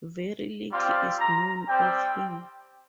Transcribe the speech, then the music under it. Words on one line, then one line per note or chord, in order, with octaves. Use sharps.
Very little is known of him.
G3 C4 F4
A#5
G3 C4 G4 G5